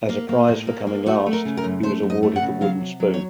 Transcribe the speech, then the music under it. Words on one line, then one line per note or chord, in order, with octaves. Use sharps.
As a prize for coming last, he was awarded the wooden spoon.
A#3
A#3
A2
A#3
A#3
A3 F#4
A3
A#4
C#3
A#4
F#2
A3 C5
F#2
D#5
A3
F#5
C#3
F#3 F5
C3
F#3
C#5